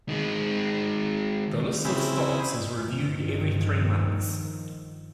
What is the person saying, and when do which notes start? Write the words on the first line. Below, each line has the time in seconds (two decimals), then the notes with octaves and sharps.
The list of stocks is reviewed every three months.
0.09 D#3 G#3
1.85 C#3 C4 E4 G#4
2.81 G2 D#3 F3